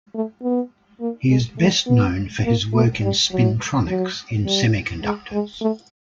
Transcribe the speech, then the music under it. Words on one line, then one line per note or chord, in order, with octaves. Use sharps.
He is best known for his work in spintronics in semiconductors.
A3
B3
A#3
G#3
A3
B3
A#3
A3
G3
F#3
F#3
G3
G#3
G#3
A3